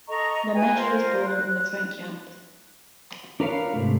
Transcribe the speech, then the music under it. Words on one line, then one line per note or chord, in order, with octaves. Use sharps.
Lameche was born in the French Alps.
A4 D#5 A#5 C#6
B4 G5 G#5
F4 A#4 C5
F#6
D4 F4 A#4 B4 C#5 F5
G#2 C3 A3